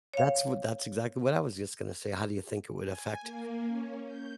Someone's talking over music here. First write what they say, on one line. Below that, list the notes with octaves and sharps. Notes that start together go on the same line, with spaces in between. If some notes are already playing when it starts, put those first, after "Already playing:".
That's wh that's exactly what I was just going to say, how do you think it would affect,
C#5 F5
G#5
A#3
C#4
G6